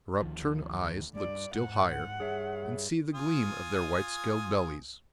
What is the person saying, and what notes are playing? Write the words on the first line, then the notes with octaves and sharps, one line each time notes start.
Her upturned eyes look still higher, and see the gleam of their white-scaled bellies.
D2 D#3 F3
G2 D5
G#2 F#5
G2 G#4 C#5 E5
F4 G#5 D#6